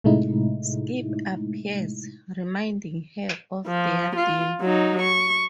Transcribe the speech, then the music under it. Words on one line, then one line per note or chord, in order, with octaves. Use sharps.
Skip appears, reminding her of their deal.
A2 C3 G#3 A3 D#4 E4
F3
F4
F#3 D#4
C#6